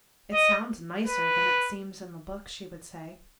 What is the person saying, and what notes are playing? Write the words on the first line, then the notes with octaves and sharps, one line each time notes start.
"It sounds nicer than it seems in the book," she would say.
D#5
B4